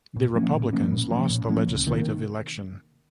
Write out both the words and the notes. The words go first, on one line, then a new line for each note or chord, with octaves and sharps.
The Republicans lost the legislative election.
A#2
F3 A#3 C#4
A#2
F3 A#3 C#4
A#2
F3 A#3 C#4
A#2
F3 A#3 C#4
C#2
C3 D#3 A#3